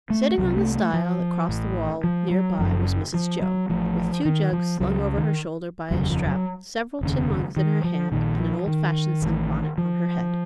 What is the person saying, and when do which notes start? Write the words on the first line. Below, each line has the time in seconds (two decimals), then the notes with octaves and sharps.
Sitting on the stile that crossed the wall near by was Mrs Jo, with two jugs slung over her shoulder by a strap, several tin mugs in her hand, and an old-fashioned sun-bonnet on her head.
0.10 A3
0.38 C2 C3 F#3
0.57 A3
0.75 A3
0.94 F3
1.49 A1 A2
2.04 F3
2.31 F#3
2.59 F#1 F#2 C#3 F3
3.14 F3
3.42 F#3
3.70 A1 A2 F3
4.25 D#3
4.53 F3
4.80 C#2 C#3 F#3
5.17 D#3
5.91 F1 D#2 C#3 F#3
6.09 F3
6.27 F#3
7.01 F1 D#2 C#3
7.56 D#3
7.84 F3
8.12 A#1 A#2 D#3
8.40 F3
8.67 D#3
9.22 A1 A2
9.78 F3